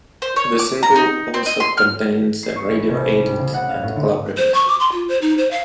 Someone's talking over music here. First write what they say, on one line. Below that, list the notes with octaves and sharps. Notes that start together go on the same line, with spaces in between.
The single also contains a radio edit and a club remix.
C5
C#5
D6
A#5
D#4
C4
D#5
C6
F6
C7
C#6
A1
C2
D7
G3
C#3
F#5
F5
A2
D3
C5
C#6
D6
C6
F4
C5
D#4
C5
F5